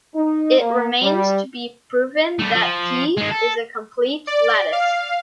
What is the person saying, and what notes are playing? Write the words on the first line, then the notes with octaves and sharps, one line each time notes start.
It remains to be proven that P is a complete lattice.
D#4
A#3
G3
G3 A3
F3
D#3 G#3
A4
D5
F5